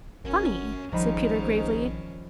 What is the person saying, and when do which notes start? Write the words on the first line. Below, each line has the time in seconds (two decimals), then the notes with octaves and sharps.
"Funny!" said Peter gravely.
0.24 G1 F#2 C#4
0.92 A#1 G#2 D#3 F3 G3 C#4 D#4 B5